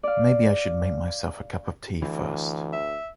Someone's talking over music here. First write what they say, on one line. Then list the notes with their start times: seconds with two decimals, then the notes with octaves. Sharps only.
Maybe I should make myself a cup of tea first.
0.03 D5 F5
2.02 D2 E3
2.73 E5